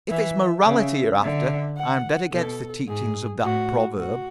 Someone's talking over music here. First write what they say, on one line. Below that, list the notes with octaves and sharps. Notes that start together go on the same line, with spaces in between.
If it's morality you're after I am dead against the teachings of that proverb.
E3 E5
C#3 E5
D3 E5
F#5
B2 A4
G#2 G#4
A2 F#4
F#4